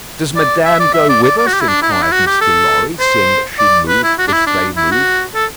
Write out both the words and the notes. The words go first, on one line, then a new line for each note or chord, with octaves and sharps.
"Does Madame go with us?" inquired Mr. Lorry, seeing that she moved as they moved.
D5
E5
D5
E5
D5
D5
D5
F#4
G4
E4
D4
E4
D4
E4
F#4
G4
A4
C5
D5
B4
E4
F#4
D4
E4
D4
E4
F#4
A4